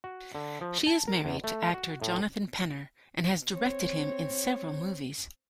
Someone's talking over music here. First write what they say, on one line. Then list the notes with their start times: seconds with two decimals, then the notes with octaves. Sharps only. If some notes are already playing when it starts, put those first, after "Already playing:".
She is married to actor Jonathan Penner and has directed him in several movies.
0.04 F#4
0.35 D3
0.61 F3
0.87 A5
1.08 A#4
1.25 E2
1.44 A3
1.74 F#4
2.02 A2
3.52 C4 C#5